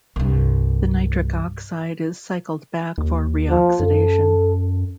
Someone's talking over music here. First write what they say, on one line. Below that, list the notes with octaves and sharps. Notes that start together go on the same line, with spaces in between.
The nitric oxide is cycled back for reoxidation.
C2 G2
D#2
F3
F#2 A4